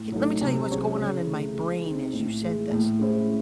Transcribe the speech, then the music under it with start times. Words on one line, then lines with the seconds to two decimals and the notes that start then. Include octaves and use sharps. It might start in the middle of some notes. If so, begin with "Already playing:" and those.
h let me tell you what's going on in my brain as you said this:
Already playing: A2
0.12 F#3 A3 D#4 A4
0.41 C3
0.70 F#3 C#4 G#4 C#5
0.98 C#3
1.27 E3 A3
1.55 G#3
1.85 C4 D#4
2.13 A2
2.41 E3 G#3
2.71 A2
2.99 G#3 C#4 E4 C5